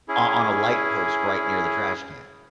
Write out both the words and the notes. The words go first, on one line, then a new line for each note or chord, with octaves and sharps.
o on a light post right near the trash can
C#4 E4 G#4